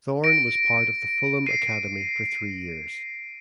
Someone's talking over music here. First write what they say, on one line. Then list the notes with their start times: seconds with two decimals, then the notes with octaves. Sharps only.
Thorn was part of the Fulham academy for three years.
0.24 A#6 D7
1.46 C7 D#7